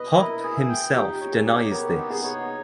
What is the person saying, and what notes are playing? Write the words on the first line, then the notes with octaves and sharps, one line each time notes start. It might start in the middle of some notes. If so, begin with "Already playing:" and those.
Hopp himself denies this.
Already playing: B4 D#5
E4 A#4
G#4
G5
D#4 G4
G4 C#5
G#4
G4
B3 A#4
D#4
G#4
C#5